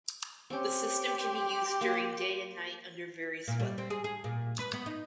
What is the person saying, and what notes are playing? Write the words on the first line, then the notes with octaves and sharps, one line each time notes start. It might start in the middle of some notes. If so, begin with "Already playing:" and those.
The system can be used during day and night under various weather.
C4 C#4 G4 C6
A#3
A#2
G3
C4
G#4
G#4
A#2
B4
B3
D#4